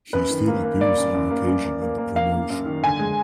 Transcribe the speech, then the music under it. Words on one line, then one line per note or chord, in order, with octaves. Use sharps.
He still appears on occasion in the promotion.
F#2 B4
D#3
A#3
A#3
A#3 D5
F#2
F#2
A#3
F#2
A#3
A#3
A#3
A#3 F5
A#3
F#2
D#3
D3 G#5
G#3